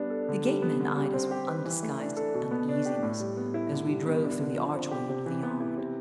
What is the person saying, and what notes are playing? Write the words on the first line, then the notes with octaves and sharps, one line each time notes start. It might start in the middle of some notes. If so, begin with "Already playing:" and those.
The gateman eyed us with undisguised uneasiness as we drove through the archway into the yard.
Already playing: G3 B3 D4
A4
D3
G3
B3
D3
G3
C4
G4
B4
E3
A3
D4
A4
B2
B3
D4
G4
A2
G3
B3
E4
D3
G3
B3
D4
D3
F3
C4
G4
C3
E3
B3
E4
C3